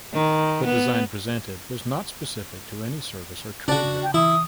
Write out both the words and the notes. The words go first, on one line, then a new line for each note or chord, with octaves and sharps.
The design presented was not specific to any service or trade route.
D#3
B3
C#3 D4 F#4 A5
G5
E3 E4 D#6